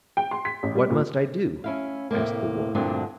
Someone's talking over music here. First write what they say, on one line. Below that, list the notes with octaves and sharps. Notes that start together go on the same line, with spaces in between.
"What must I do?" asked the Wolf.
G5
C6
B6
A1
G3
A#2
C#4 E4 F5
A2 C3 A#3
D2 G2 A#2 D3 C4 D4